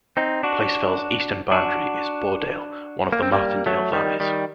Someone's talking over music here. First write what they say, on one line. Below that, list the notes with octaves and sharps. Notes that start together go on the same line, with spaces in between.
Place Fell's eastern boundary is Boredale, one of the Martindale valleys.
C4 D#4
D4 F#4
D4 F#4
A#3
C4
G3 A#3
F#3 A3
D#3 G3
D#3 G3